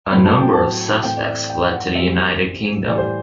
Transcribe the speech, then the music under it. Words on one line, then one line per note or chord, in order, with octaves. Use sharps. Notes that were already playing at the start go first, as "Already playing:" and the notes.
A number of suspects fled to the United Kingdom.
A2 F#3 A3 C4 B5
A5
G5
A5
A2 E3 A3 C4 G5
D5
E5
G5
F#5
E3 G3 C4 E5
A2 E3 G3 D5
C5